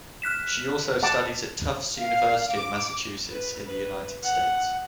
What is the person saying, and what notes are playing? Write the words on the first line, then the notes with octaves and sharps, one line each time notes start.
She also studied at Tufts University in Massachusetts in the United States.
F6 F#6 B6 E7
F#5 A5 D6
F5
D6
B4
B4
F#5